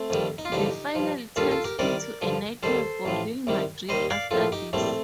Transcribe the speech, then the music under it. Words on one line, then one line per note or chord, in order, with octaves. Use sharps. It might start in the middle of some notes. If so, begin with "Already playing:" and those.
The final turns into a nightmare for Real Madrid after this.
Already playing: A3 C4
F2 D#3 G3
D#4
F4
A1 G2 D3 F3 D#4 G4
G2 F3
D#2 D#3 G3 F4 A4
F4 A4
G4 A#4
C2 C3 D#3 G3 A#4 D5
G2 D3 F3
D#2 D#3 G3 A4 C5
A1 A2 F3
C2 C3 D#3 G3
D#2 D#3 G3 C5 D#5
D5 F5
A#1 A2 F3 F4 A4
D#4 G4
A#1 A2 G3 A3 C4